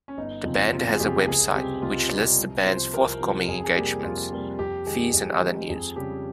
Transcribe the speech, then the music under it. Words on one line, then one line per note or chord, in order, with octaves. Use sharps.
The Band has a website which lists the band's forthcoming engagements,fees and other news.
C#4
G1 D#4
F2 C#3 F3 C4
G1 F4
G#4
F2 C#3 F3 C4 G4
C#2 G#4
C3 G3 C4 G4
C#2 F4
C3 G3 C4 G4
C2
C3 F3 C5
C2 A#4
C3 F3
F2 G#4
G#4
C3 G3 A#3 G4
F2 F4
C3 G3 A#3
F2 G4
D#3 G#3 G#4
F2
D#3 G#3
F2 G#4
C#3 G3 C#4 G4